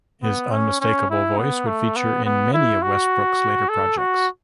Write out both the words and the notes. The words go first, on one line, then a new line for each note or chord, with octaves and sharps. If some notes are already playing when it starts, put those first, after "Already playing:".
His unmistakable voice would feature in many of Westbrook's later projects.
B3
C#4
C#4
E4
B3
A3
B3
B3
E4
F#4
A4
F#4